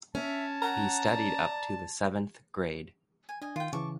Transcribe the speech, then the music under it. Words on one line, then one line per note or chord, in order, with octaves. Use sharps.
He studied up to the seventh grade.
C#4 E5 A5
F#5 A#5
D5
G#5
D4 D#5 G#5
D#3 F4 G5
C#3 E3 A5 C#6 D6